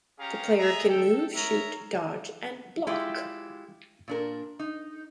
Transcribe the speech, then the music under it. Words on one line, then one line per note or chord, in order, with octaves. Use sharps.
The player can move, shoot, dodge, and block.
C#4 G4 G#4 F5 A#5
G#4 E5 A#5
A4 G5
A#4 C#5 E5 A#5
G#3 E4 F4 G4
A#2 D4 A#4
D#4